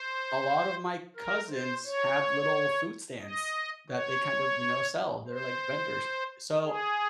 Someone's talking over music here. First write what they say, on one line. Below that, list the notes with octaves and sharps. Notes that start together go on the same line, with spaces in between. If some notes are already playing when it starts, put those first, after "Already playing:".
a lot of my cousins have little food stands that they kind of, you know, sell; they're like vendors. So
Already playing: C5
A#4
C5
C#5
D#5
C#5
C5
G#4